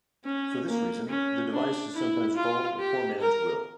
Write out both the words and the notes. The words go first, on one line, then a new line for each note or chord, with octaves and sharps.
For this reason, the device is sometimes called a "poor man's will".
C#4
A#3
C#4
D4
E4
F4
G4
A#4